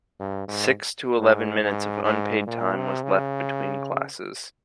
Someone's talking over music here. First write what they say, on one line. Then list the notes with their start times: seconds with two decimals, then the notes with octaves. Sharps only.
Six to eleven minutes of unpaid time was left between classes.
0.20 G2
0.48 G#2
1.19 G#2
1.62 G#2
2.04 G#2
2.47 A#2
2.75 C3
3.03 C#3